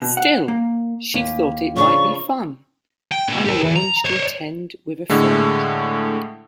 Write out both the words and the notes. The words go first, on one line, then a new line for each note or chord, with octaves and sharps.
Still, she thought it might be fun, and arranged to attend with a friend.
B2
F#5
A#3
D#2
C#3 F3 D4 C#6
G5
A#2 F#4
G4 A#4
E2
A#5
C5 C#5
A2 D3 G#3 A3